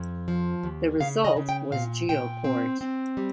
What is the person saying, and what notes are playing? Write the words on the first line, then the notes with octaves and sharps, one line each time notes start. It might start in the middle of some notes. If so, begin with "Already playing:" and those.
The result was GeoPort.
Already playing: F2
F3
D#2
C#3 F5
D#5
C#3
G5
A#2 F5
A#2 G5
C4
C4
G3